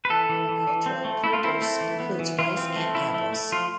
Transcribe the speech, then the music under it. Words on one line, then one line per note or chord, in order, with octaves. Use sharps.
Agricultural produce includes rice and apples.
B4
E3 A4
E3
E3
E3
C4
A3
A3 E4
F4
C4 E4
A3
E3
B3
E3
E3 F4
C4
A3
F3 E4
A3
A3
F3 F4